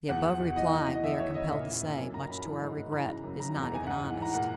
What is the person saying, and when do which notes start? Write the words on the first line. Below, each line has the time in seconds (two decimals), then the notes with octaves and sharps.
The above reply, we are compelled to say, much to our regret, is not even honest.
0.09 E2 F#5
0.25 E2
0.40 B2
0.56 E3 D#5
0.71 E3
0.88 E3
0.94 D#5
1.04 E2 E5
1.19 E3 C#5
1.34 C#3 D#5
1.50 A#2 E5
1.67 A#2
1.82 A#2
1.97 F#2 G#5
2.13 F#2 A#5
2.29 F#2 B5
2.45 E3
2.61 G#2
2.76 G#2
2.92 E3 A#5
3.08 C#3
3.23 F#2
3.39 D#3 A#5
3.55 E2
3.63 A#5
3.71 D#3 G#5
3.87 G#2 F#5
4.03 E3
4.19 E3 A#5
4.33 A#2 F#5